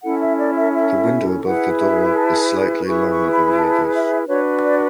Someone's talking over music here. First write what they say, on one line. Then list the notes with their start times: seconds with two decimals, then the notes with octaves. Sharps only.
The window above the door is slightly longer than the others.
0.02 C#4 E4 A4 F#5
0.20 E5
0.38 D5
0.56 E5
0.74 E5
1.45 E4 G#4 B4 F#5
1.79 E5
2.15 A5
2.86 E4 G#4 B4 C#6
3.10 C#6
3.33 B5
3.57 A5
3.93 E5
4.28 D4 F#4 B4 C#5
4.63 D5